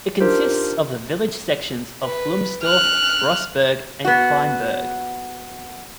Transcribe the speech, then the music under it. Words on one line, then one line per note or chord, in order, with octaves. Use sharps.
It consists of the village sections of Flums-Dorf, Grossberg and Kleinberg.
D4 D#4 F4 G4 A#4 C5
B4
F6 F#6
B3 F#4